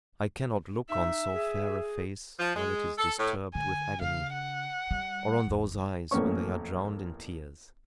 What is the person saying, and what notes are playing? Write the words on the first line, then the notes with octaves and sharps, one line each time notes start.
I cannot look on so fair a face while it is disturbed with agony, or on those eyes when they are drowned in tears.
D#4 E5
G#4
F3
G#3
A4
A2
D3 G#5
C#3 D4 F5
F#5
G3
F#1 E2
A1 F2 A#3 B3 C#4 C#6